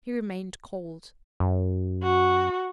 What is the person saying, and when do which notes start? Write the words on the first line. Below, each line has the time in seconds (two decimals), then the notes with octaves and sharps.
He remained cold.
1.40 F#2
2.02 F#4